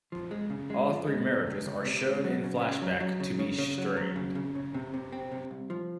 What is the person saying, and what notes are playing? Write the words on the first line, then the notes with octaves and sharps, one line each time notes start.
All three marriages are shown in flashback to be strained.
F3
G#3
C#3
G#3
F3
G#3
C#2
C#2
C#2
C3
C#2
F#3
C#3
C#4
F#3
F#3
C#3
C#3
C#3
F#3
F#3
C#3
C#3
C#3
C3
C3
C4
C3
C2
F3